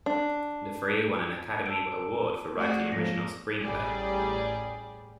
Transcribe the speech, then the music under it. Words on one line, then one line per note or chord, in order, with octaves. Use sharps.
The three won an Academy Award for Writing Original Screenplay.
D4
A5 E6 D7
A3 F#4 G#4 C#5 D5
G#2 F3 A#3 A#6
A1 G3 G#4 D5